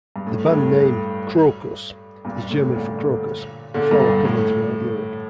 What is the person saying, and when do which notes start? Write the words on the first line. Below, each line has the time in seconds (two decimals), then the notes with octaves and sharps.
The band name "Krokus" is German for crocus, a flower common throughout Europe.
0.16 G2
0.27 A2
0.46 G2
0.51 A2
2.25 G2 A#2
2.51 A2
2.75 A#2 D3
3.74 A#2 D3
3.91 G2 A#2
4.08 G2
4.25 A2